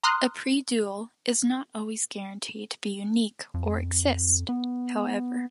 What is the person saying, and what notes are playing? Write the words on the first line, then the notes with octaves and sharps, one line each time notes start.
A predual is not always guaranteed to be unique or exist, however.
A#5 C6 D#6 F6 F#6
F2
B3